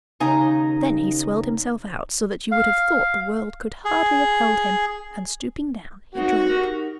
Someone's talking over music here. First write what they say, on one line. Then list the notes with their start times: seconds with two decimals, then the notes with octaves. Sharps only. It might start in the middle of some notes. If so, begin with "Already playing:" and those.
Then he swelled himself out so that you would have thought the world could hardly have held him, and stooping down he drank.
0.20 D#2 C#3 D#4 D#5 G#5 A#5
2.52 F5
3.85 G#4
6.15 A#3 C4 D#4 F#4
6.49 D#4 G4 A#4